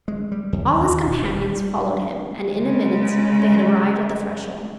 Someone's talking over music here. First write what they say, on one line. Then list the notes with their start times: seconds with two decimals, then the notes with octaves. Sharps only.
All his companions followed him, and in a minute they had arrived at the threshold.
0.08 G#3
0.32 G3
0.53 D#2
0.81 D#2
1.04 B2
1.22 D#1
1.42 G3
2.56 C#3 G#3